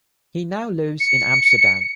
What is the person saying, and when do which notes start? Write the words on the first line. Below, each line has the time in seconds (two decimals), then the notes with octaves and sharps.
He now lives in Amsterdam.
0.99 C#7